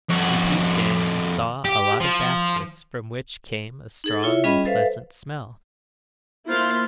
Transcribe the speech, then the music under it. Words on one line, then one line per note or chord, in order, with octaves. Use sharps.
He peeped in and saw a lot of baskets from which came a strong and pleasant smell.
F2 F#4
G4
F3
D#4 G#4 A4
E4 F4 C#5 E5
G3 C#4 F4 G#4 D#5 B5
A4 B4 C5 E5 F5
A#3 E4 F4 C5 F5